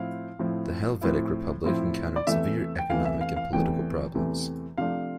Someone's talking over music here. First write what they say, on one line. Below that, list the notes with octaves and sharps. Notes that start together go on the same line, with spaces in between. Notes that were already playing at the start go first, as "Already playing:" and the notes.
The Helvetic Republic encountered severe economic and political problems.
Already playing: A2 F3 C4 E4 F5
A2 F3 C4 E4
A2 F3 C4 E4
A2 F3 C4 E4
D5
E2 C3 E3 A3 E5
G5
E2 C3 E3 A3 F5
E5
F5
F5
E2 C3 E3 A3 G5
E2 C3 E3 A3
C3 F3 A3 D4 F5